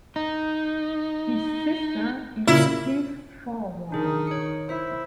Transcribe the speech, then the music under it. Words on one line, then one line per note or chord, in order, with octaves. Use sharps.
His sister is Eve Forward.
D#4
A#2 C#3 A#3 E4
D#3 D4 D#4 G#4 A#4
C#5 C#7
E4 C5 B6